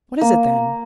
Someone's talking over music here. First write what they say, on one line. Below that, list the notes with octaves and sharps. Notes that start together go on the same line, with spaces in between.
"What is it then?"
A#3